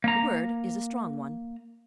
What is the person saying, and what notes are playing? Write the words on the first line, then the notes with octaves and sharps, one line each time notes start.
The word is a strong one.
A#3 A#5